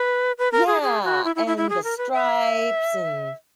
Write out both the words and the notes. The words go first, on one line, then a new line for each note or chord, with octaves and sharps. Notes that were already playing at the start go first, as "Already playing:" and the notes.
Yeah. And The Stripes and
Already playing: B4
B4
A#4
G#4
G#4
F#4
E4
E4
E4
E4
G#4
A#4
B4
E5